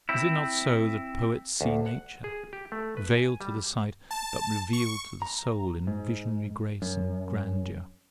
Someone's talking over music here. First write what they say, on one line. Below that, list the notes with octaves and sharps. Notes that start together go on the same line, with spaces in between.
Is it not so, that poets see nature, veiled to the sight, but revealed to the soul in visionary grace and grandeur!
C4 E4
D2
F#5
G#4
G4
A3
B4
G#5
G3
A5
C#6
A#5
G#2
F#2